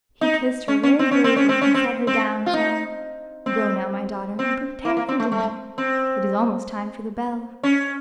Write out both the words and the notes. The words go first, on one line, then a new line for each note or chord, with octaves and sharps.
He kissed her very gravely, and set her down, saying, "Go now, my daughter, and prepare for dinner; it is almost time for the bell."
D#4
C#4
C#4
C4
C#4
C4
C#4
C4
C#4
C4
C4
F4
D#4
C4
C4
A#3
A#3
C4
A3
A3
C4
C#4